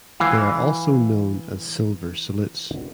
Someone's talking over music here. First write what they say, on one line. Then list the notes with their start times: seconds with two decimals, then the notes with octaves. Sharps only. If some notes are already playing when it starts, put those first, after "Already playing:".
They are also known as silver salutes.
0.20 E3 F5